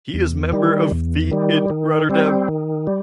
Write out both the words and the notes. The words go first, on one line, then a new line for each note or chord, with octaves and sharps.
He is member of the in Rotterdam.
E2
D#3 G3
E2
D#3 G3
D#3
G3 C4
D#3
G3